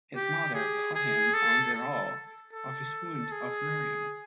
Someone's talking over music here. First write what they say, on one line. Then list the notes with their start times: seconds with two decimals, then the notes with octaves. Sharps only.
His mother caught him on the raw of his wound of Miriam.
0.16 G4
0.55 G#4
0.95 G#4
1.34 A4
1.74 A4
2.53 A4
3.32 G#4